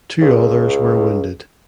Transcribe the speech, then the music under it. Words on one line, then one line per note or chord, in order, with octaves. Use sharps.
Two others were wounded.
C#2